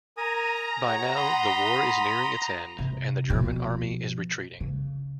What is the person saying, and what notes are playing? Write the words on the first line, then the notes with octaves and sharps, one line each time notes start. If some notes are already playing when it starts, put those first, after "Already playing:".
By now, the war is nearing its end and the German Army is retreating.
A#4 G#5 A#5 D#6
G#4 C#5 F#5
B5 C6 D#6
C3
B2 F3
C#3